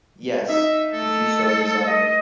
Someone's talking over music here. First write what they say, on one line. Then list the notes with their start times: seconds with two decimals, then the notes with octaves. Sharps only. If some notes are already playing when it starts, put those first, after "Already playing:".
Yes, If you so desire.
0.49 D#4 E5
0.93 A3 A4
1.84 D#5